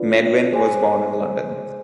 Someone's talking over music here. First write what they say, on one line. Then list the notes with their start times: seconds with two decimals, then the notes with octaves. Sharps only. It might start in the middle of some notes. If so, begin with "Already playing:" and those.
Medwin was born in London.
Already playing: D4 F4 B4 D5
0.53 G#4 C5 G#5